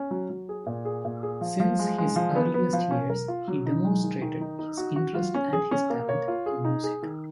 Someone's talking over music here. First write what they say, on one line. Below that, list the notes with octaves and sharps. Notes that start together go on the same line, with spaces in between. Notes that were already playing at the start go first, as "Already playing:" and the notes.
Since his earliest years, he demonstrated his interest and his talent in music.
Already playing: C#4
F#3
F#3
G#4
A#2
G#4
A#2
G#4
F3
F3
G#3
G#3
F3
B3
B3
F3
C#4
A#4
F4
F#3
D#4
G#3
D#3
D#3
D#4
D#4
F#4
F#4
F4
C#4
G#4
C#4
A#3
C#5
F4
G#4
D#4
G#4
D#3